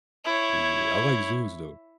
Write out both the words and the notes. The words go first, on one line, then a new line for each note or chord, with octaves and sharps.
Yeah. I like zoos, though.
E4 C#5